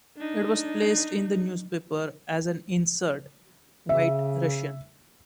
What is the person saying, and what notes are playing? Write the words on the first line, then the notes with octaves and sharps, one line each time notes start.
It was placed in the newspaper as an insert: White Russian.
D4 D#4
C#3 E5